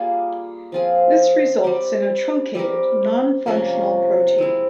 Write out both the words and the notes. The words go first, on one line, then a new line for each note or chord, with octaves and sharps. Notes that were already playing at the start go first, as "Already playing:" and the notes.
This results in a truncated non-functional protein.
Already playing: G3 A#3 F4 G#4
F3 C4 F4 G#4
G3 C4 G4
G3 C4 G4 A#4
C3 F3 A#3 C#4
G#3 C4 E4